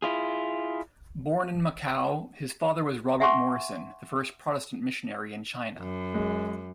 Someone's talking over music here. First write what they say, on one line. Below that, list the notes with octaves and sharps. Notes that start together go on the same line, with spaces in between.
Born in Macau, his father was Robert Morrison, the first Protestant missionary in China.
E4 F4 G#4
E5 F#5 G#5 C6 C#6
F#2
G#3